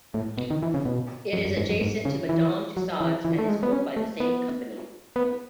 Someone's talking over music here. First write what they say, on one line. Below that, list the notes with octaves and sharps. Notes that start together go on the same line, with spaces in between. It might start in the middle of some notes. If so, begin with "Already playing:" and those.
It is adjacent to Madame Tussauds and is owned by the same company.
A2
B2
D#3
E3
C#3
B2
F#2
F#2
G#2
F#2
G#2
C#3
E3
F#3
E3
E3
A3
G#3
B3
C#4
A3
B3
B3